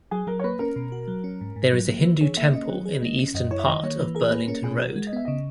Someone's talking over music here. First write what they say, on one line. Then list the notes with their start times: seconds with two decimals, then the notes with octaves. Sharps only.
There is a Hindu Temple in the Eastern part of Burlington Road.
0.11 F#3 G#4
0.27 F#3 A#4
0.40 C#5
0.44 A#3 B4
0.59 C#4 A#4
0.76 B2
0.92 F#4
1.08 F#3
1.24 C#4
1.41 G#2
1.56 G#2
1.73 F#3
1.89 A#3
2.05 E3 B4
2.21 G#4 C#5
2.37 A#3 E5
2.53 C#4 D#5
2.70 F#3
2.86 G#4
3.02 A#3
3.18 C#4
3.34 F#2 D#5
3.51 E4 C#5
3.59 E5
3.67 D#3 D#5
3.83 A#3 C#5
3.99 E3 B4
4.15 G#4 A#4
4.31 A#3 B4
4.47 C#4 A#4
4.63 B2 G#4
4.80 F#4
4.86 A#4
4.96 G#3
5.07 D#5
5.13 B3 E5
5.25 C#3 D#5